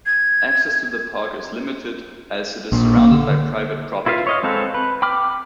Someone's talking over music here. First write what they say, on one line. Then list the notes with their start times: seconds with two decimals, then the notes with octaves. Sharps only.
Access to the park is limited as it is surrounded by private property.
0.06 G#6
2.72 A#1
2.97 A#3
3.11 D3
4.06 E4 F4 B4 F5
4.27 C#5 D#5 F5
4.43 G#3 C4 A4 B4 F5
4.74 B4
5.02 G5 B5 D6 F6